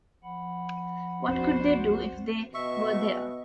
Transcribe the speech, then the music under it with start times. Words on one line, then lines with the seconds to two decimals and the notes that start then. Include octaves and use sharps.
What could they do if they were there?
0.23 F3 F#5 B5
1.28 F#1 B1 F2 C4 D4 F#4 C5
2.54 B2 D#5 E5 C#6